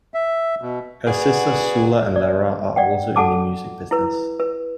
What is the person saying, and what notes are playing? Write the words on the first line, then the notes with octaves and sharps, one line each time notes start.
Her sisters Sula and Lara are also in the music business.
E5
B2
B3 F#4 G#4 D5
D5
D5 F#5 G5
A4 F#5 G#5 A5 D6
E4 B4
B4